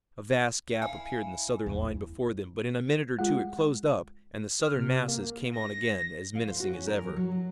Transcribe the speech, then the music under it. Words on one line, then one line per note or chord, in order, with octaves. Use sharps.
A vast gap appeared in the Southern line before them, but in a minute or two it closed up, and the Southern masses came on again, as menacing as ever.
E4 F5 G#5
E2
E4
G#3 F4 F#5
F6
C3
A#3
A#6
F5
C5
F#4
C#4
A#4
F#3
F#3
F#3